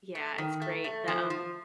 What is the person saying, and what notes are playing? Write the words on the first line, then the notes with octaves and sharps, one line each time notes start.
Yeah, it's great. The, um,
A3
D#3
A3
A3
F3
F3